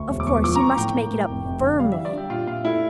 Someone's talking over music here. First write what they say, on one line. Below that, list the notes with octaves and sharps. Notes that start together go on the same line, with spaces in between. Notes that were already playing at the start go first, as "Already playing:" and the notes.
Of course, you must make it up FIRMLY.
Already playing: D2 C#6
E1
D6
E2 C#6
F3 D6
A#5
F3 C#6
A2 G5
A#3
A2
F1
F1
D3
G3 F5
E5
G3
D5
D4 G4
A#2 F4
A#2 F4
A3 E4